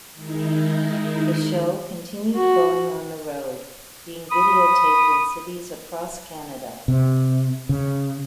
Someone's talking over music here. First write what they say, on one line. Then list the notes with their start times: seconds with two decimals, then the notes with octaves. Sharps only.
The show continued going on the road, being videotaped in cities across Canada.
0.14 D#3 G#3 D#4 E4
2.35 F#4
4.31 B5 D#6
6.88 C3
7.69 C#3